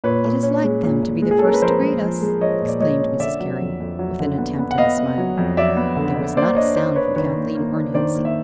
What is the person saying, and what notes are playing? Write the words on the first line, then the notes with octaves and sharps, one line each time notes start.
"It is like them to be the first to greet us!" exclaimed Mrs. Carey, with an attempt at a smile, but there was not a sound from Kathleen or Nancy.
A#2 B4 C#5
A#2
C#4
G#3
A#2
A#2
G#3
G#4
A4
C#4 A#4
B4
F3 A#4 C5
G#3
F3
G#3
F3 C#5 D#5
A#2
D5
G#3 C#5 D#5
C#4
D3 D5 E5
F#3
F2
F2
F#3
D3
B3
B3
F#5
B3 D#5 F5
B3
F#3
F2
F#3 D5 E5
B3
D3
D3
A#3 C5 D5
D4 C#5 D#5
D4 C5 D5
D4 B4 C#5
D#3 B4 C#5
A#3
A#3
D4
D#3 C5 D5
A#3
E5